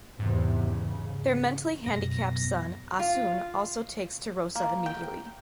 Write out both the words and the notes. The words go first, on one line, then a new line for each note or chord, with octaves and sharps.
Their mentally handicapped son Ah Soon also takes to Rosa immediately.
E2 G#2 C3
C#3
F#2 B2 A#6
F4
A#3
G5